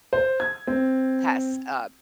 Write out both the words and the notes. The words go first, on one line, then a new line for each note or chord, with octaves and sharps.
past, uh,
C5
G#6
C4